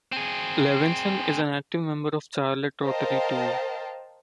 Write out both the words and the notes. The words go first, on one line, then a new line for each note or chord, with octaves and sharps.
Levinson is an active member of Charlotte Rotary, too.
C4 G#4
A#4 C5 D#5 F5 G5 A5